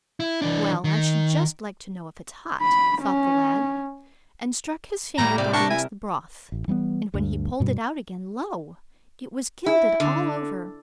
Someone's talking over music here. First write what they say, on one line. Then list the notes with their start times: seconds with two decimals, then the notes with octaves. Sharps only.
"Well, I should just like to know if it's hot," thought the lad, and struck his finger down into the broth, and when he pulled it out again, lo! it was gilded all over.
0.20 E4
0.42 E3 D4
0.84 D#3
2.62 B5
3.02 C#4
5.18 A2 G3 A#3 A#5
5.38 C3 D5
5.53 D4 A#4 A5 A#5 C#6
5.70 E4 G#5
6.52 A1
6.68 E3 G3 A#3 B3
7.14 D2 G2
7.60 G2 B2 G3
9.66 E4
10.00 D3